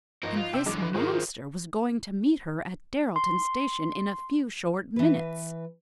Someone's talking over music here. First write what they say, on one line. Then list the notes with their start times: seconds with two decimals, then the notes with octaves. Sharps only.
And this monster was going to meet her at Derrelton Station in a few short minutes.
0.23 G#1 F3 A#4 D#5
0.36 F4
0.53 C3 G5 E6
0.66 F#2 D3 E3 G#3 D6
0.82 B4
0.94 G#1 D#3 F3 F4 G#4 A#4 C5
3.16 C6
4.96 E3 B4